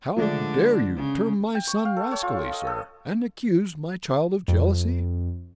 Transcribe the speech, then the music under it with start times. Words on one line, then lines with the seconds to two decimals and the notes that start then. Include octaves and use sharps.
"How dare you term my son rascally, sir, and accuse my child of jealousy?"
0.17 D3 F3 G#3 A3 D4
0.97 C#3
1.55 G5
1.67 C#6
1.85 F5
1.97 A4
2.11 C#5
2.23 F4
2.53 D#5
2.67 A4
4.48 F2